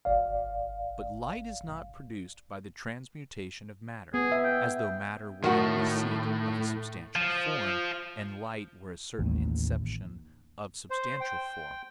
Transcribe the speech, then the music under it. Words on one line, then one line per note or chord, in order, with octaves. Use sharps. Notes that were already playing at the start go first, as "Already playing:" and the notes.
But light is not produced by the transmutation of matter, as though matter were in receipt of a substantial form, and light were a certain inception of substantial form.
G#1 D5 F5
B3 G#4
E5
G5
A2 D#3 F#4
F3
A1 D#2
C5
G5